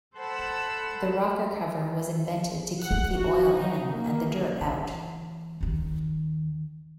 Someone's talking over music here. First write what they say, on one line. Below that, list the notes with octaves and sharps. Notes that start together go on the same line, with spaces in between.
The rocker cover was invented to keep the oil in and the dirt out.
A4 C5 F#5 A5 B5 E6
F#5
F#4
D#4
A#3
E3
D#2 D#3